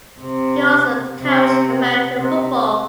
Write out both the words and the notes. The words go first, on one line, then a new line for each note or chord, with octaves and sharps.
He also coached American football.
C3
C3
C3